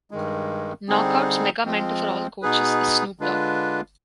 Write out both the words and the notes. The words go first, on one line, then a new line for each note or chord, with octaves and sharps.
Knockouts Mega Mentor for all coaches is Snoop Dogg.
G2 D#3 G#3
D3 G3 C4 D#4 G#4
F3 G#3 C4
B2 B3 D#4 G#4 B4
D3 G#3 D4 F4 B4